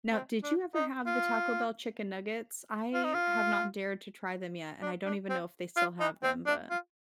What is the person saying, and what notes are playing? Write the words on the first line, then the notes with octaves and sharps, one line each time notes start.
Now, did you ever have the Taco Bell chicken nuggets? I have not dared to try them yet, and I don't even know if they still have them, but
C4
D4
D#4
F4
F4
D#4
F4
D4
D4
C4
F4
D#4
C4
D4
F4